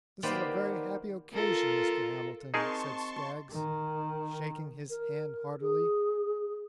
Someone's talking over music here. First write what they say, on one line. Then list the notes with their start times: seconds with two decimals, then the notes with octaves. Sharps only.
"This is a very happy occasion, Mr. Hamilton," said Skaggs, shaking his hand heartily.
0.23 D#3 A#3 B3 G4 C5 D5
1.33 F4 A4 A#4
2.54 C4 D#4 G#4 A#4 D#5 A5 C6 C#6
3.51 D#3
4.90 A#4
5.61 G#4